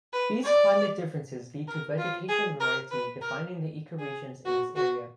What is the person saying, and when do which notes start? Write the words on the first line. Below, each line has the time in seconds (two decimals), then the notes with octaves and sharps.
These climate differences lead to vegetation variety defining the ecoregions in this area.
0.13 B4
0.44 D5
1.68 A#4
1.98 F4
2.29 G#4
2.60 A#4
2.91 B4
3.22 A#4
3.99 G#4
4.45 F#4
4.76 F#4